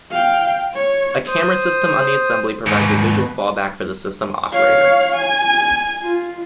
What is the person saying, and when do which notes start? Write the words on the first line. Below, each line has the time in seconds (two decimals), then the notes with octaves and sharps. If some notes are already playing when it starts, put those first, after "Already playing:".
A camera system on the assembly provides a visual fallback for the system operator.
0.11 F5 G5
0.73 C#5
1.27 C5 D#6
2.66 D#2 G#2 B4
4.52 C#5 F5
5.16 G#5
6.03 F4